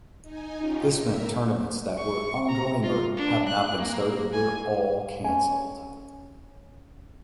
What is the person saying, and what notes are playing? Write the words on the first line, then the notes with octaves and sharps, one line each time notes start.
This meant tournaments that were ongoing or have not been started were all canceled.
D#4 G#5
C#4 D#4 F4 G4
A2 A#4 E5
C#6
A#5
F4
D4
F#6
A#3
G#5
C#4 G#5